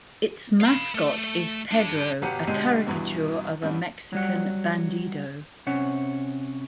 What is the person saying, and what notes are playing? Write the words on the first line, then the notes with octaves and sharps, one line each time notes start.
Its mascot is Pedro, a caricature of a Mexican bandido.
F5 B5
A3
A3
D4 G4
G1 B2 G4 F#5 C#7 D#7
B2 D3 G#3 D4 G4 D#7
E2 G2 B2 E3
A1 G2 G3
F#3 G3 F#5
C3 C#4 F#5